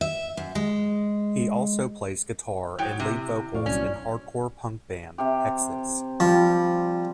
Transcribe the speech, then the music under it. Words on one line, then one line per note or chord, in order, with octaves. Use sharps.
He also plays guitar and lead vocals in hardcore punk band, Hexes.
E5
F#2
G#3
F#3 E4 G5 D#6
C3
A2 D5 F5 C#6
C2 A#2 F#3 C#4
C3 G4
F3 G3